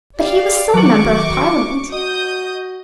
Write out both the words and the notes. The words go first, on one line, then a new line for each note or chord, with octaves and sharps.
But he was still a Member of Parliament.
G4 D5 F5
D#3 F#3 F#4 C#6 D6
F#4 D#5 D#6 G6